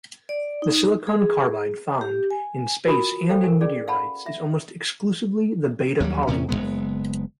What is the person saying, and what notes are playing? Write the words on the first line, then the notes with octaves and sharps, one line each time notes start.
The silicon carbide found in space and in meteorites is almost exclusively the beta-polymorph.
D5
D#4
G#4
G4
G#5
F4 F#4 A#4 G#5 B5 D#6
A4 C5 F5 G5
A#4 G#5
C#4 G#4 D5
F5 F#5 A5 B5
E5
D#2 F#3 G3
E2 C3 C#4
F#1 G#2 G#3 B3